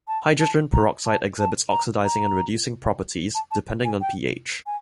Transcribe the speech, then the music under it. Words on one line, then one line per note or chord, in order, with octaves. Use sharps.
Hydrogen peroxide exhibits oxidizing and reducing properties, depending on pH.
A5
A5
A#5
A5
A5
A#5
A#5
A5
A5
G#5
G5
G#5